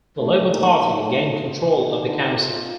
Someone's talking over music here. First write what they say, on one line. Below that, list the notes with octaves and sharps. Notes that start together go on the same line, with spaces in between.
The Labour party gained control of the council.
A3 D4
A#2 D#4
A2
F4
A#2 D#4
D3
F4